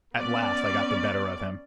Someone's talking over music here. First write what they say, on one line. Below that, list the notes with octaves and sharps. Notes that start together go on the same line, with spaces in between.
At last I got the better of him.
B3 C#4 D5